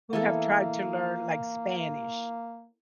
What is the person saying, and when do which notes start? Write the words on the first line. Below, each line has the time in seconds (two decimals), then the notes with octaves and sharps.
who have tried to learn, like, Spanish.
0.13 E3 A#3 B3 A4